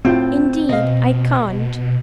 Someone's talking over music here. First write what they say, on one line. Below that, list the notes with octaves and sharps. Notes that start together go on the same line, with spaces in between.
'Indeed, I can't.
A2 C4 F4 F#4
B2 D#5 F5